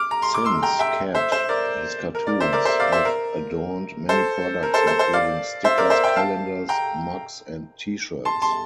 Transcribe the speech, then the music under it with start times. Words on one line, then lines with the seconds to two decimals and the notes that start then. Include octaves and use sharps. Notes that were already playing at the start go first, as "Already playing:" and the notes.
Since "Cat", his cartoons have adorned many products including stickers, calendars, mugs, and t-shirts.
Already playing: D6 F6
0.11 A#5
0.22 C6
0.35 D6
0.45 C6 E6
0.63 G5 A#5
0.79 E5 G5
1.15 C5 E5
1.31 C5 E5
1.49 A#4 D5
2.15 A#4
2.27 A#4 D5
2.40 C5 E5
2.52 A#4 D5
2.65 C5 E5
2.80 D5 F5
2.92 C5 E5
3.05 A#4
4.09 A4 C5
4.63 A#4
4.74 A4 C5
4.87 A4 C5
4.99 A4 C5
5.13 D5 F5
5.64 C5 E5
5.78 A#4 D5
5.90 C5 E5
6.03 E5 G5
6.16 F5 A5
6.69 G5 A#5
8.25 A5 C6
8.42 A5 C6